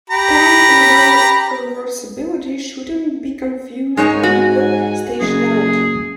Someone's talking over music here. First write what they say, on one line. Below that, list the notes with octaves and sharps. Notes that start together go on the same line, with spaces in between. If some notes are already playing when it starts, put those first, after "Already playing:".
Time-reversibility should not be confused with stationarity.
G4 A#5 B5
G#2 G#3 D#4 C#5 G#5
F#4
F#1 G#4